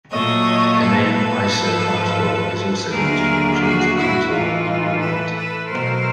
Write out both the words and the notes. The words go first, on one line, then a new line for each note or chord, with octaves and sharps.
The name isocontour is also used, which means a contour of equal height.
A#2 F#3 A3 C#5 D#5
A4 B4
G#2 F3 A3
D#2 D3 F#3 A3 G#4 A#4
F#4 G#4
E4 F#4
A2 E3 A3 D#4 F4
A4 B4
A4 B4
B2 F#3 A3 A#4 C5